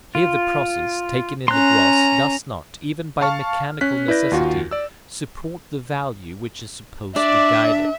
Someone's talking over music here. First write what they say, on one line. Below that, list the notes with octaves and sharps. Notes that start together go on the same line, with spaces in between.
Here the process, taken in the gross, does not, even by mechanical necessity, support the value which is supposed to guide it.
F4
C#4 A#5 C6 F#6
F5 A5 C#6 F6
C#4 F#6 B6
E4 B4 D5 G6 A#6
D#2 F4 F#4
D5 E6
D4 D5 E5